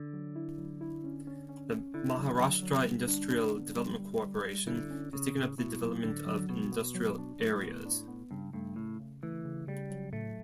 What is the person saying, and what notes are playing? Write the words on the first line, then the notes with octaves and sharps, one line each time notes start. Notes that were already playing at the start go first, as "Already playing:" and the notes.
The Maharashtra Industrial Development Corporation has taken up the development of industrial areas.
Already playing: D3
F#3
E4
F#3
E4
C#4
C#4
C#4
C#4
D3 E4
F#3
F#3
F#3
G3
D4
D4
B3
G3
G3
G3
G3
D3 E4
C#4
C#3 C#4
A2
B2 E4
F#3
A2 D3
F#3
B2 B3
B3
F#3
D4
A2 F#3
B3
D4
B3
G2 C#3
G2 A3
A2 C#3
C#3
E3 A3
C#3
C#3 G3
F#3
A2 A3